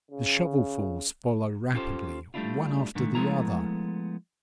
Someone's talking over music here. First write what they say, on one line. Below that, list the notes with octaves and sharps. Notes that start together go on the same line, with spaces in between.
The shovelfuls follow rapidly, one after the other.
C#3
C#4 F4 G4 A4 B4 C5
G3 A3 A#3 D4 E4 F4
G#2 D3 D#3 A3
F3 G#3 A3 B3 E4 A#5